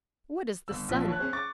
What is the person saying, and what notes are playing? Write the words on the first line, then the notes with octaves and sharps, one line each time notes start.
What is the sun?
G1 E6
A#1 F3 B6
C#5 A5 F#6
C#4 G#4 C5
C#6 D6 A6